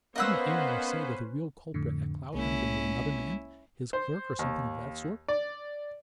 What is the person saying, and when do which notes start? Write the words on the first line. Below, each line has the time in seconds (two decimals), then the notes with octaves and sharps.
"Didn't Aylmore say that the real culprit at Cloudhampton was another man--his clerk or something of that sort?"
0.16 A#3 B3 C#4 B4 C5 D#5 F#5 E6
1.74 F2 A2 D3
2.34 C2 G#3 A#3 C#4 E4
3.93 C5
4.39 D#2
5.28 D5